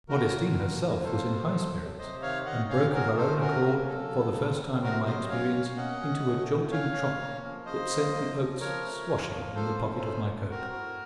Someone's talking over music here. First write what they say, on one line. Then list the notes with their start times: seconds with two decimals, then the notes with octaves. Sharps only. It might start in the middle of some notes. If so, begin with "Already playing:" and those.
Modestine herself was in high spirits, and broke of her own accord, for the first time in my experience, into a jolting trot that sent the oats swashing in the pocket of my coat.
0.09 A3 F#4 A#4
0.33 C4
0.57 F3
0.80 A2
1.04 A#3 A4 C5
1.28 F3
1.51 F#3
1.75 C3
1.98 C3 C5 D#5
2.22 D#3 C#5 F5
2.46 D#3 D#5 F#5
2.69 C#4 C#5 F5
2.93 C#4 F#4 A#4
3.17 A3 A4 C5
3.40 C#4 F#4 A#4
3.64 A#3
3.88 F#3 A4
4.11 C#3
4.35 C4
4.59 C4
4.82 C3 F#4 A#4
5.06 F#3 C5 D#5
5.29 C#4 C#5 F5
5.53 A#3
5.77 C#4 D#5 F#5
6.01 C#4
6.24 A3
6.48 A2
6.71 C#4 C#5 F5
6.95 C#4
7.19 A#3
7.42 F3
7.66 C#3 C5 D#5
7.89 A#3
8.13 C3
8.37 F3
8.60 F3 A#4 C#5
8.85 A3
9.08 F3
9.32 A#3
9.55 F3 A4 C5
9.79 C#4
10.02 A3
10.26 A3
10.50 C4 F#4 A#4
10.74 A2